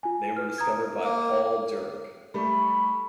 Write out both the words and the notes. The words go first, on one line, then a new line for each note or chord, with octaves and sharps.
They were discovered by Paul Dirac.
F4 G#5
B4 F6
A#5 D#6 G#6
A#3
G3 A3 B5 C#6